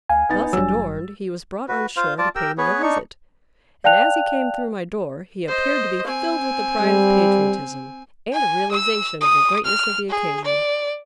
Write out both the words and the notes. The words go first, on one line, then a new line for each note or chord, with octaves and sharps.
Thus adorned he was brought on shore to pay me a visit, and as he came through my door he appeared to be filled with the pride of patriotism and a realization of the greatness of the occasion.
D2 F5 G#5
D#1 B3 D#4 A6
G#1 G2 F#3 E6
F#4 B4
F4 C5 F5
F4 D5 A5
G4 A#4 G5 E6
B3 G#4 B4 C#5
D4 D#4 C#6
D5 F5 G5 A5 F#6 F7
C5 D#5
C4 G#5
G3
G#5
E6
D#6
F6
G#4
D5